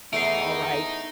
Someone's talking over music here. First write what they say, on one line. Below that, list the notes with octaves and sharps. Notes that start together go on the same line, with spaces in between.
All right.
E2 A3 D#4 C7 D7